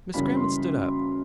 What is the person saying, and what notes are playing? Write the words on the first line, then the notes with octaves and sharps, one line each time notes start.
Miss Grammont stood up.
F#2 C#3 E3 G3 A#3 B5
B5
C6